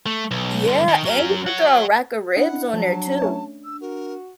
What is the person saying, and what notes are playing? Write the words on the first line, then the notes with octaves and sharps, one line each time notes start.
Yeah, and you could throw a rack of ribs on there too,
A3
B1
G2 D3
D#3
F#3 C#4
C#5 F#5
D4 E4 D#5 F#5
F3 F#3 A5
A3 C#4 C#5
E6
F#4 A#4